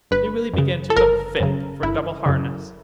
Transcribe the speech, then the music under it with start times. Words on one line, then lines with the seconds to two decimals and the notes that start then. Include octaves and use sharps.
They really began to look fit for double harness.
0.11 G1 B4
0.54 F#2 C#3
0.90 A4
0.96 G1 A#4
1.40 F#2 C#3
1.83 G1 E4
2.26 F#2 C#3